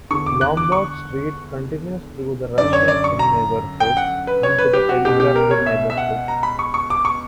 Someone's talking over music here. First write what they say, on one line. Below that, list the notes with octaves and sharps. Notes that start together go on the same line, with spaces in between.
Lombard Street continues through the Russian Hill neighborhood and to the Telegraph Hill neighborhood.
E2 D3 C#6
D6
F#6
D6
C#6
F#2 D3 D5
C#5
D5
C#6
A#5
G5
F#5
B4
C#5
B4
G4
F#4
C#2 B2 G4
G4
A#4
C#5
E5
E5
F#5
A#5
B5
C#6
C#6
D6
C#6